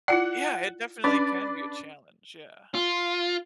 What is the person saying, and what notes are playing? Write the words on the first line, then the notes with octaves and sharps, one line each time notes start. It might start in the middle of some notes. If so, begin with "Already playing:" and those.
Yeah, it definitely can be a challenge, yeah.
E4 F4 D5 F#5
C#4 D4 B4 D5
F4